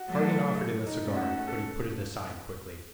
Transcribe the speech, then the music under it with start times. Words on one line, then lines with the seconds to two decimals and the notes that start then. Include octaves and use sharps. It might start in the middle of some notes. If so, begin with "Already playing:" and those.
Cargan offered him a cigar, but he put it aside quickly.
Already playing: F#4
0.08 F#3 A3
0.25 A4
0.55 A4
0.86 D#4
1.01 A3 C#4
1.16 F#4
1.47 A4